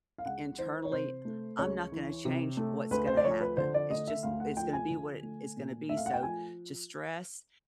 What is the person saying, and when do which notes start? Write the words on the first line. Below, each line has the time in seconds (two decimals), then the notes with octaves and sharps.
i internally, I'm not gonna change what's gonna happen; it's just it's gonna be what it's gonna be, so, to stress
0.18 F5
0.25 C#2 F#5
0.59 E3 C5
0.85 C#5
0.91 C3 C5
1.25 A3
1.59 C#2 C#5
1.92 E3
2.25 C3
2.57 A3
2.91 D2 B4
3.07 C5
3.17 D5
3.24 F3 C#5
3.41 B4
3.57 D3 C5
3.74 D5
3.90 A3 D#5
4.07 E5
4.23 D2 F5
4.40 F#5
4.57 F3 G5
4.73 G#5
4.90 D3
5.23 A3
5.57 A#2
5.89 A3 E5
5.97 F5
6.06 F#5
6.14 G5
6.23 F3 G#5